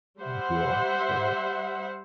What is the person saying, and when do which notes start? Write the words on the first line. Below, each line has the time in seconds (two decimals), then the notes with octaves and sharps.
If you want to say that.
0.19 G3 C5 E5 F#5